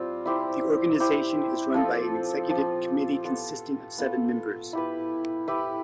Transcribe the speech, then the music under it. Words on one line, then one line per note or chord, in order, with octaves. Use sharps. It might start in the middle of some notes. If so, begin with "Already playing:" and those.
The organisation is run by an Executive Committee consisting of seven members.
Already playing: G3 C4 F4 C5
E4 G4 C5
E4 G4 C5
F3 C4 F4 A4
F3 C4 F4 A4
B3 F4 A4
B3 F4 A4
E4 G4 B4
E4 G4 B4